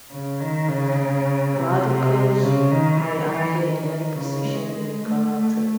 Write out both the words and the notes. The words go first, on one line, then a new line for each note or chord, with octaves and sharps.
Radicals may appear in any position in a character.
C#3
D#3
C#3
C3
C#3
D#3
E3
E3
D#3
C#3
G#3
A3
A3